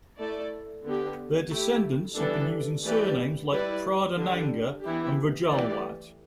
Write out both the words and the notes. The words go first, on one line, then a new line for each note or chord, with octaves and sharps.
Their descendants have been using surnames like Pradhananga and Rajalwat.
A3 E4 A4 D5
D3 B3 G4
A3 E4 G4
E3 G3 B3 D4 A4
E3 A3 G4 B4 D5
G3 E4 B4 D5
D3 G3 D4
E3 B3 E4 G4
E3 A3 G4 D5